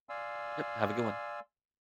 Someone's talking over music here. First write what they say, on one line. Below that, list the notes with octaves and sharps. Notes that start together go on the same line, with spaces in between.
Yep, have a good one.
D5 F5 G#5 C6 E6